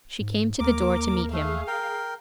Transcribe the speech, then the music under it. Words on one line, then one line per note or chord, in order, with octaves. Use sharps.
She came to the door to meet him.
G#2
D#2 A#3 A#4 D6
A3 G#4 F5
A#4 G5